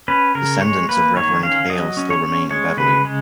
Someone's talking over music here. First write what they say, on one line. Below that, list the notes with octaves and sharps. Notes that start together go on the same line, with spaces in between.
Descendants of Reverend Hale still remain in Beverly.
C#4 B4
C#3 A#4
G#3 C#5
A#3 B4
D#3 C#5
C#4 F5
F#3 D#5
C#4
C#5
C#4
G#3 C#5
C#3 B4
G#3